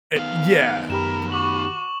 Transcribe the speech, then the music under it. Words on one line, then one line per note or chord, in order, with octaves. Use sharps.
It yeah, pr
D#3 B3 F5
F#2 G4 A#4 B5 E7
F#4 C#6 D6 F#7